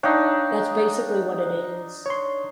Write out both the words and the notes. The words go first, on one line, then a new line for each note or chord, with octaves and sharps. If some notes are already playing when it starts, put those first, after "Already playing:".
That's basically what it is.
D4 D#4 C#5 F5 G5
C#5 C6